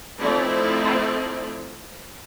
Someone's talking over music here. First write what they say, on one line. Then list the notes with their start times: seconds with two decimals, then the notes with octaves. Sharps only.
Well, I
0.19 F3 A3 C4 D#4 E4 D5